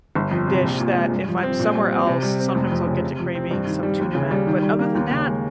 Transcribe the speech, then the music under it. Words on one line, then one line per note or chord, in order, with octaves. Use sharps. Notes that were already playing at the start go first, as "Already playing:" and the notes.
dish that if I'm somewhere else, sometimes I'll get to craving some Tuna Mac, but other than that,
G1
F2
C3
A#1
A#2
G#3
G2
F3
C4
A#2
G3
C4
C3
G3
C4
F1
F2
C#3
C3
F3
C4
G2
D#3
G3
D#2
C#3
G3
D#3
G3
A#3
D#2
C#3
G#3